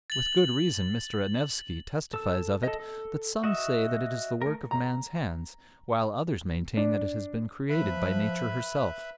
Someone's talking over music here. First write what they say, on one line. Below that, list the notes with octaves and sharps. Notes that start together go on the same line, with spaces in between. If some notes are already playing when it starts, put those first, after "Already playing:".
With good reason Mr. Anaevsky testifies of it that some say that it is the work of man's hands, while others maintain that it has been created by nature herself.
A6 F#7
A4 E6
A4 D#5
A4
F#4 D#5 E5
A3 A#4
A#5
D4
F3 B4 E5 B5